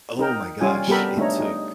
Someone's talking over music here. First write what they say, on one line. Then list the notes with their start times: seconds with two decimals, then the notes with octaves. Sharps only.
Oh my gosh. It took
0.19 D#4 A#4 G5
0.61 G3 C#4 F4 G#5
0.88 G3 B3 G4 A4 A#4 B5
1.18 A3 D4 D#4 C#5 A#5
1.40 D#4